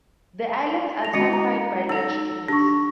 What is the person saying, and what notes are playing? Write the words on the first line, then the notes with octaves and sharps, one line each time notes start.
The islands are typified by large dunes.
A#6 F7
G#3 C#4 F#4 D#5 A#6 C#7
E4 A#5
D#4 A4 E6 A#6
D4 G4 C#6